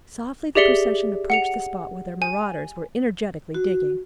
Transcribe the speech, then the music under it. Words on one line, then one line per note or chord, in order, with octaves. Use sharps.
Softly the procession approached the spot where the marauders were energetically digging.
G4 G#4 D5 E5 C#7 G7
F#5 C#7 F7
G#5
F#4